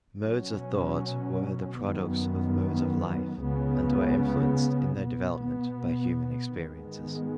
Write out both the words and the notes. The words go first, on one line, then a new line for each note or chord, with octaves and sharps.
Modes of thought were the products of modes of life and were influenced in their development by human experiences.
B2 F#3 C#4
F#2 D#3 B3
C#2 C#3 B3
B2 B3
G#2 D#3 G#3 B3